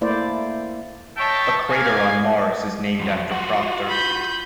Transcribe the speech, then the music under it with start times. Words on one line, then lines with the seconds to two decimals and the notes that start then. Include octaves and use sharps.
A crater on Mars is named after Proctor.
0.01 A3 A#3 E4 C5 D5
1.17 C#5 D#5 E5 G5 A5
1.69 A#3 F5 G#5
3.00 F2 F#3
3.31 F4 F#4 F#5
3.88 B5 G6